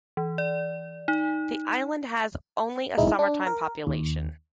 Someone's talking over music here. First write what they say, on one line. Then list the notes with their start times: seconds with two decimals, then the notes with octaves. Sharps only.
The island has only a summertime population.
0.17 E3
0.38 D5
1.08 D#4
2.97 G#3 D#4 E4
3.19 D4
3.47 A#4
3.87 D#2